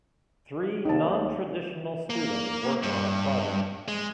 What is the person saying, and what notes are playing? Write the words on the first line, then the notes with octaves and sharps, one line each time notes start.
Three nontraditional students work on a project.
D#2 D#4 A5
A#3
G2
G#3